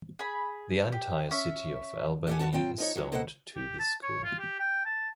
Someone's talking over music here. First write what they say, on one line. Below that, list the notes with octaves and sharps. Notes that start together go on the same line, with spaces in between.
The entire city of Albany is zoned to this school.
G#4 B5
G4
C#4 E5
G4 A4 D5 E5 F#5 G#5
G2 C3 F#4 A5
F#3 C4 F4 G5
F3 D#4 C#5
G2 D#3 F#3
B2 A#3 A4 C5 C#5 F#5
G4
A5
C#5
F4
G4
G5
A5